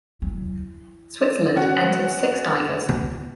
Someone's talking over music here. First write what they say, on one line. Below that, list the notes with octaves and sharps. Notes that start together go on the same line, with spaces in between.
Switzerland entered six divers.
F#3
C#4 F#4